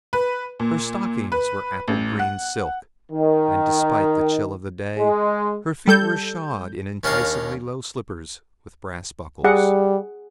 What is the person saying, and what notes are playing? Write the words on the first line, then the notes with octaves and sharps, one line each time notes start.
Her stockings were apple-green silk, and, despite the chill of the day, her feet were shod in enticingly low slippers with brass buckles.
B4
A#2
B4
A1
F#5
D#3
G#3
G3 A4 G6
D#2 C#4 D4 A#4 F5
G3 G#4 F#5